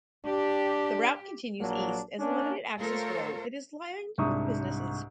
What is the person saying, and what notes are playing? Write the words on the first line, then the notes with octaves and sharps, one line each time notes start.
The route continues east as a limited access road that is lined with businesses.
D4 G4
A#1 F#3 A#3 D4
A#3 C#4 D4
A3 F4 A4 A#4 C5 C#5
C2 G#2 D4 E5 C#6 D#6